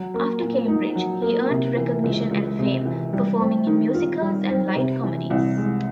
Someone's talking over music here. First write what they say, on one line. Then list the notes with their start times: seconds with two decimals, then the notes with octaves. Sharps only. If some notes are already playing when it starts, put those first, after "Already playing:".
After Cambridge, he earned recognition and fame performing in musicals and light comedies.
Already playing: F#3
0.14 A#3
0.41 A#2
0.68 D#4
0.96 F#3
1.22 A#3
1.50 C3
1.77 E3
2.04 C#2
2.31 C#2
2.59 C3
2.86 E3
3.13 G3
3.40 C4
3.67 D#3
3.94 F4
4.21 G3
4.49 C4
4.76 C3
5.03 E3
5.30 C2
5.57 G#3